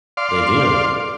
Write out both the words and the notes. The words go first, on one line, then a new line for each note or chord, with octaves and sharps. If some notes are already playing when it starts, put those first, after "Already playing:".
They do.
D5 F5 C6